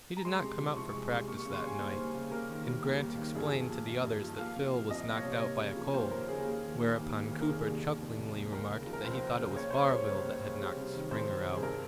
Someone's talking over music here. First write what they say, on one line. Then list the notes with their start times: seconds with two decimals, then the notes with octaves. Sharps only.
He did not come out for practice that night, and Grant explained to the others that Phil was knocked out by a cold, whereupon Cooper chucklingly remarked that he thought it was Barville that had knocked Springer out.
0.17 A#5
0.25 G#3 C6
0.42 C3
0.59 F3
0.77 C2 C#6
0.94 G#3
1.11 C3
1.28 A#3 C#6
1.41 C#3 C#6
1.54 C6
1.63 G3 G#5
1.80 D#2 C5
1.97 A#3
2.15 C#3
2.32 A#3 A#4
2.49 D#3
2.66 G3
2.83 D#2
3.01 A#3
3.18 D#3
3.35 G2 G#4
3.52 F3
3.70 A#3
3.88 G2
4.04 G2
4.22 F3
4.39 A#3 F5
4.56 C3
4.73 F3
4.90 C2 D#5
5.08 A#3
5.16 C#5
5.24 C3
5.42 A#3
5.59 C#3
5.77 F3
5.94 D#2 C5
6.11 A#3 A#4
6.28 C#3 G#4
6.46 D#2
6.63 D#3
6.80 A#3
6.97 D#2
7.15 D#2
7.31 D#3
7.41 A#4
7.49 F1 G#4
7.67 D#2
7.83 D#3
8.01 F1
8.18 F1
8.35 D#2
8.52 C#2 A#4
8.69 C#3
8.87 F3
8.93 A#4
9.04 C#2 C5
9.21 C#2
9.39 C#3
9.56 A#3 C#5
9.70 C#3 C5
9.84 C#5
9.91 G3
10.08 C#2 C5
10.25 A#3
10.42 C#3
10.60 G3
10.77 C3
10.94 D#3
11.11 F2 C5
11.28 G3
11.46 C3
11.56 G#4
11.63 G2 A#4